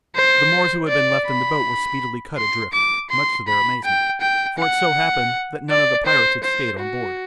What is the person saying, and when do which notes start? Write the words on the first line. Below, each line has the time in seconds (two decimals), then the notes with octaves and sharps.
The Moors who had been left in the boat were speedily cut adrift, much to their amazement, for it so happened that none of the pirates had stayed on board.
0.15 C5
0.88 D5
1.27 B5
2.37 C6
2.73 D6
3.10 C6
3.48 B5
3.84 G5
4.21 G5
4.58 F#5
5.70 D5
6.06 C5
6.43 C5
6.79 F#4